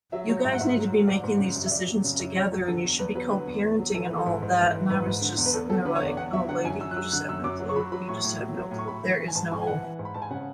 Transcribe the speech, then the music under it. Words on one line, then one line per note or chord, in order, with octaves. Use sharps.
"You guys need to be making these decisions together, and you should be co-parenting and all that," and I was just sitting there like, "Oh, lady, you just have no clue. You just have no clue. There is no"
F#3 E5
F#3 C#5
G#2 E5
F#5
G#2 E5
F#3
F#3
G#2 D5
G#2
C#3
F#2
E5
F#2 D5
F#3
C#3
F#2
F#2 C#5
F#3
D3 A4
E2
E2 B4
F#3 B4
D3 B4
E2
E2
F#3
E3 A4
B4
E3
A4
G#2
G#2
E3
E3
G#2 B4
G#2
D3
E2
B4
E2 A4
F#3 A4
D3 B4
C#5
E2 D5
E2 F#5
F#3 E5
D3 F#5
F#2 G#5
F#2 E6
F#6
F#3 E6
D3 F#6
F#2 E6
F#2 D6
F#3
C#6
F#3 B5
F#3 B5
A2 C#6
A2
F#3
F#3
A2
C#6
A2 B5
E3
E3
G#5
G#2 A5
G#2 G#5
G#5
E3 F#5
E3
G#2
B5
G#2 A5
G#5
C#3 F#5